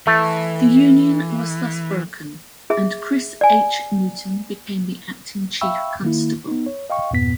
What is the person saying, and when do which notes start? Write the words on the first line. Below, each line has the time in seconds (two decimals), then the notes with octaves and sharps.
The union was thus broken, and Chris H. Newton became the acting Chief Constable.
0.07 E3 A3
2.70 G#4 E5
3.41 D5 G#5
5.61 E5 F5 G5 B5 C#6 E6
6.03 D#3 A#3 E4
6.47 B3 D#4
6.66 C#5
6.90 D#5 F5 G5 C#6
7.11 E2 G2 A#2 B3 B6